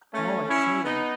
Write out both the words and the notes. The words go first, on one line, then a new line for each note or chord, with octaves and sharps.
Oh, I see.
A3 C#4
C#4 E4
B3 D#4